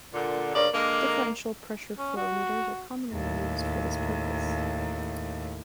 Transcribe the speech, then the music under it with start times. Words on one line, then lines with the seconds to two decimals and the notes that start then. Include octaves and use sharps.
Differential pressure flow meters are commonly used for this purpose.
0.13 A#2 D3
0.54 G2 C#3 A#3 D5
0.74 D3 G#3 A#3
1.98 C#4
2.16 F#4
3.12 D#2 A2